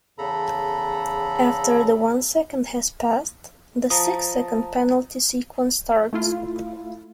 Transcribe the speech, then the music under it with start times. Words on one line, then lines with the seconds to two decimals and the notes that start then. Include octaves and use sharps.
After the one second has passed, the six second penalty sequence starts.
0.18 E2 C#3 A4 A#5 B5
3.90 F3 A5 A#5 D#6
6.13 A3 E4 F4